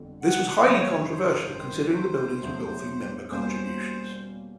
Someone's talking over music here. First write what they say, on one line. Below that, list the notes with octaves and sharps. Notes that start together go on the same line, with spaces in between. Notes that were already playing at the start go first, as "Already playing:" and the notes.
This was highly controversial considering the buildings were built through member contributions.
Already playing: G1 F2 D3
F#5
G1 F#2 C#3 F#3 C#5
C5
G1 G2 D#3
E2 C#3 F#3 A3 D4
E2 B2 G3 A#3 C#4 C5